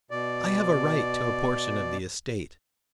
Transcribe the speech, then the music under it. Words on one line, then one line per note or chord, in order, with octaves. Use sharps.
"I have a right to a portion of the estate."
B2 D5